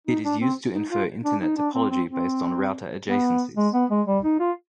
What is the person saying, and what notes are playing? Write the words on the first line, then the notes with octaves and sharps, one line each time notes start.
It is used to infer Internet topology based on router adjacencies.
D#4
D4
C4
D#4
F4
D4
D#4
D4
C4
C4
C4
B3
G#3
B3
G#3
G3
D#4
F4